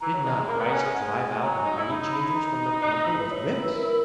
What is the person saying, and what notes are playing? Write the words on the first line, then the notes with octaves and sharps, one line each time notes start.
"Did not Christ drive out the money-changers from the temple with whips?"
E3 A#5
F#3
G#3
G#3
A#3 A#5 B5
B3
C#4 G#5
G#3
G#3 F#5
G#5
E3
F#3 A#5
A#5
D#4
E4
D#4 B5
B5
A#5
D#4
E4
B4
D#5
C#5
B4
A#4